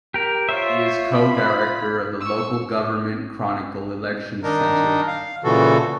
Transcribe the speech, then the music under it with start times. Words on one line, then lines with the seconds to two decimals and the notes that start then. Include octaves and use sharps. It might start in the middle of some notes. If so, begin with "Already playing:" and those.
He is Co-Director of the Local Government Chronicle Elections Centre.
0.14 G4 A#4
0.49 F4 C5 C#5 E5
1.14 B5
2.21 C#6 E6
4.43 D#3 D4 D#4 A#4
5.07 F5
5.44 A#2 C#3 E3 F#4 A4